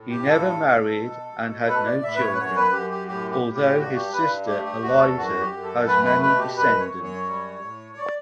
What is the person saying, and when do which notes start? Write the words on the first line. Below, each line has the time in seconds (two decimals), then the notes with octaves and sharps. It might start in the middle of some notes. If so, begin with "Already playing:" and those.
He never married and had no children, although his sister Eliza has many descendants.
Already playing: A2
0.10 G4
0.28 G2 A4
0.63 G2
0.98 B2
1.33 B2
1.68 A2 B4
1.86 D5
2.03 A2 E5
2.15 B4
2.20 C#5
2.33 B4
2.38 F#2 C#5
2.56 B4
2.73 F#2 G4
2.90 G4
3.08 A2 G4
3.31 G4
3.43 A2
3.54 G4
3.77 G2 F#4
3.95 G4
4.12 G2 B4
4.47 A3 G4
4.65 G4
4.82 E2 F#4
4.99 A4
5.17 F#2 F#4
5.41 G4
5.52 F#2
5.63 A4
5.87 A3 B4
6.04 B4
6.22 B2 B4
6.39 G4
6.57 F#2 B4
6.80 C#5
6.92 F#2
7.03 C#5
7.27 G3
7.62 A2
7.96 D5